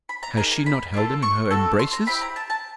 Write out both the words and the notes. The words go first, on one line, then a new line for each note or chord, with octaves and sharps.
Has she not held him in her embraces?
B5
A#5
A#3 D#4 G#4 A#5
A#5
B5
A#3 D4 F4 A4
C#6
D4 F#4 A4
C6
A#5
C4 E4 G4 B5
A#5
A5
A5